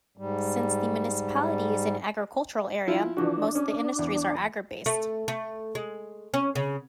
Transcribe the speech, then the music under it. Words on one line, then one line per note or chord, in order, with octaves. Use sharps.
Since the municipality is an agricultural area, most of the industries are agri-based.
G#2 G3
F3 E4 F4
E3 F3 D4 F#4
C#4
E2
A3
A3
G#3
C#4
C#3